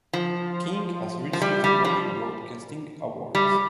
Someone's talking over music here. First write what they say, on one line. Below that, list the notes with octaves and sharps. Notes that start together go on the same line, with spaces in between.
King has received many broadcasting awards.
F3
F3
G3
G3
F3
G3